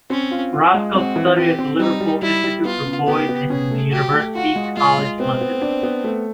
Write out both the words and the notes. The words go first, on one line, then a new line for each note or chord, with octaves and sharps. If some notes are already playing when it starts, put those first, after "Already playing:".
Roscoe studied at the Liverpool Institute for Boys and University College London.
C4 C#4
F4
F4
G#3
C4 F#4
E3
C4 G4
C4
G3 D#4
G3
G3 E4
G3
B3 F4
C#3
B3 G4
B3
C#4 G#4
A3
F#3 G4
A3
F4 F#4
G#3
G#3 F4
G#3
B3 C4
B3
D4
B3
A3